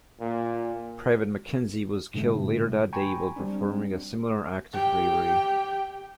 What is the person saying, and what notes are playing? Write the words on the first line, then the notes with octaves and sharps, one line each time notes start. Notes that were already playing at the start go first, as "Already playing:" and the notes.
Private Mackenzie was killed later that day while performing a similar act of bravery.
A#2
G#2 B2 D3 G#3 A3
G5 G#5 A#5 B5 C#6
G3 C4 D4
G4 G5